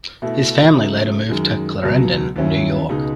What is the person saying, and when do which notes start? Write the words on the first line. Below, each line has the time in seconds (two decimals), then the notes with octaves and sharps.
His family later moved to Clarendon, New York.
0.22 B2 A3 E4
0.75 C#3 F#3 A3 D#4
1.29 F#2 D#3 G#3
1.82 C#2 B2 F#3
2.36 D#2 D#3 F#3 C#4 E4
2.89 C#2 B2 G#3 D#4